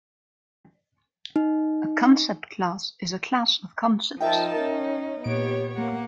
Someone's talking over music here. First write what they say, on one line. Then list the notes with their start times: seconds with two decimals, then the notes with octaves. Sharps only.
A concept class is a class of concepts.
1.36 D#4
4.21 F3 D#4 A#4 E5 G5 A5
4.61 C#4
5.24 A#2 B3 G4 C#5 D7
5.75 A#3 F#5